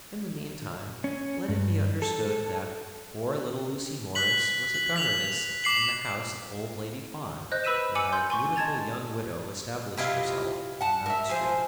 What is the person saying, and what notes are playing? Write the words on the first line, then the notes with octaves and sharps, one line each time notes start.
In the meantime, let it be understood that poor little Lucy Morris was a governess in the house of old Lady Fawn, when our beautiful young widow established herself in Mount Street.
C#4
G2
A4
F#6 B6 F#7
F#7
B6 F7 F#7
D6 C7 F#7
C5 D#5 F#6 G6
B4 B5 E6 B6 D#7 E7
G#5 D6 E6 C#7 D#7 F#7
C6 G6
G#5 C6 C#6
D#5 A5 G#6 A6 F7
C3 E4 F4 D#5
F#5 A5
A#4 E5
F3 G#4 C5